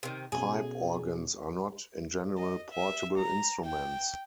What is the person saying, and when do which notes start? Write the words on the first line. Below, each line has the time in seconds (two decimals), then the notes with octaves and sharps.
Pipe organs are not, in general, portable instruments.
0.03 C3 D#3
0.32 B2 C#4 G#4
2.38 D#5
2.72 E5
3.18 A#5
3.65 G5